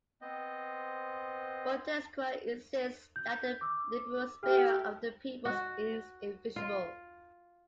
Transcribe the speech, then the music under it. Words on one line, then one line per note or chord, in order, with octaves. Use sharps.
Montesquieu insists that the liberal spirit of the peoples is invincible.
B3 C4 C5 D#5
G6
D6 E6
A3 E4 G4 F6
F#4
F4